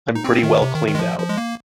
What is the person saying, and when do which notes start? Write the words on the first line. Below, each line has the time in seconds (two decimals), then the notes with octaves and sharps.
I'm pretty well cleaned out.
0.15 D#4
0.24 C4
0.43 D#3
0.62 C3
0.75 D#3
0.88 D#3
0.95 G#3
0.99 F3
1.19 F3
1.29 G#3
1.37 A#3